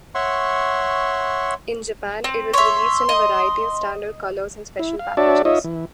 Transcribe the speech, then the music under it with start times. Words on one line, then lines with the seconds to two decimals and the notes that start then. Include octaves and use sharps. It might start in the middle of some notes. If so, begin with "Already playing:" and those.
In Japan it was released in a variety of standard colors and special packages.
0.15 C#5 E5 F#5 C6 C#6
2.24 C4
2.53 C#5 E5 C6
3.09 D#5
4.79 E4
4.99 F5
5.17 D4 F#4 C#5 D5 E5 A5
5.45 D#4 F4 C#5 D#5 E5
5.64 E3